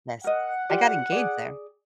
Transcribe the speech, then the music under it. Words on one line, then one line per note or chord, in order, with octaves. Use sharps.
Yes, I got engaged there.
A#4 D#5 F#5
F4 G4 D5
G#4 D5